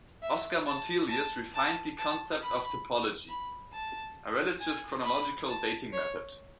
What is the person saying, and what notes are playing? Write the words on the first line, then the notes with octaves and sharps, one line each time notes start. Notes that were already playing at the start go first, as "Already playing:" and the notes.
Oscar Montelius refined the concept of typology, a relative chronological dating method.
E5
A5
A5
A5
A5
B5
B5
A5
G#5
B5
A5
C#5